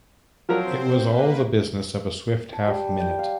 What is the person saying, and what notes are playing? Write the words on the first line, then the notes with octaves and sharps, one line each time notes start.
It was all the business of a swift half-minute.
F3 F#3 C4 A#4 C5
A#3 B4
A5
G3
G5
F5